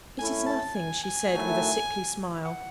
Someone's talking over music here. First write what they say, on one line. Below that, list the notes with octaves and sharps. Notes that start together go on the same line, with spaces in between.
'It is nothing,' she said, with a sickly smile.
A3 C#4 E4 G#5
A5
G#5
G#5
D#3 F#3 A3 E4
F#5